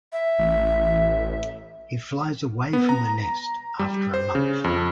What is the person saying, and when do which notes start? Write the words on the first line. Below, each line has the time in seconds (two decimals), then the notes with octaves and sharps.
He flies away from the Nest after a month.
0.13 E5
0.39 A1
2.73 B3
2.89 A#5
3.79 G3
4.14 C5
4.35 C#3
4.64 F2